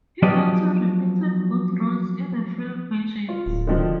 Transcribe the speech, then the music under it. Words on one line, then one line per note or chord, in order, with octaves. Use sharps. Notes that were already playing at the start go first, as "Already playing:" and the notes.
He later repeated both roles in the film versions.
F3 F#3 B3 G4 D5 D#5
F4
D1
D3 D#3 F3